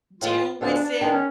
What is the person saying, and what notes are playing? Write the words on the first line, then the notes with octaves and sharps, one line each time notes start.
deal with it,
A2 E3 G#3 F4
D2 D3 F3 G#3 B3 D4
D4
D#3 G#3 B3 D4
C#4